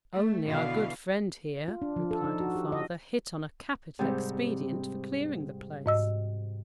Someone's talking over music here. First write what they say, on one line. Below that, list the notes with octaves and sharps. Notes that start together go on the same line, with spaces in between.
'Only our good friend here,' replied her father, 'hit on a capital expedient for clearing the place.'
A3
B2 D3 E3 F5
F4
D4
F3
A4
D#4
F#4
G4
D#5
G#2 C3 G3
G#2 D#5 E6